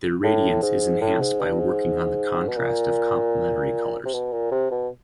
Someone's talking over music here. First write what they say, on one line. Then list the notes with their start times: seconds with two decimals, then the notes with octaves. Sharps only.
Their radiance is enhanced by working on the contrast of complementary colors.
0.23 A2
0.62 G#2
1.01 A2
1.21 G#2
1.40 G2
1.59 G#2
2.48 B2
2.57 A#2
4.05 C3
4.13 B2
4.33 A#2
4.51 C3
4.71 B2